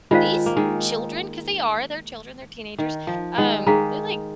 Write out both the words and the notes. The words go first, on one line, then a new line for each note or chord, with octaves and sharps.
"These children" 'cause they are, they're children, they're teenagers. Um, they like,
D#3 G#3 F4 C5 F5
A#3
D#3 G#3
D#3
F3
D#3 G#3
D#3 G#3 G#4 F5 A#5